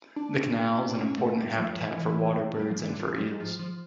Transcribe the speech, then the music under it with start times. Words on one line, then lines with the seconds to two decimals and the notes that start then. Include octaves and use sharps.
The canal is an important habitat for water birds and for eels.
0.16 D4
0.89 D4
0.98 C#4
1.18 A3
1.38 G3
1.58 F3
1.78 E3
2.60 G3
2.69 F3
2.79 E3
2.89 D3
3.00 F3
3.14 F3
3.19 G3
3.40 F3
3.59 F3